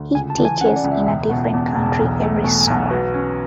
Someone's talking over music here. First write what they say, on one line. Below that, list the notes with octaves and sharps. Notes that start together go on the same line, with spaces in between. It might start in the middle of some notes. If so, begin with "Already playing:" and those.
He teaches in a different country every summer.
Already playing: D2
C#2 G#5
A5
E3
G#5
C#3 F#5
D5
C#2
E5
E1 E5
B2 F#5
E2 A5
G#5
E1
A5
B1 G#5
A3 F#5
B2 G#5
G#5
B1
F#5
F#4 B4
C#4